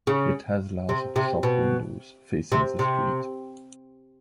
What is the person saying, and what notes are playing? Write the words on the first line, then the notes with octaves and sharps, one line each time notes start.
It has large shop windows facing the street.
C#3
C3
C3
B2
C3
C3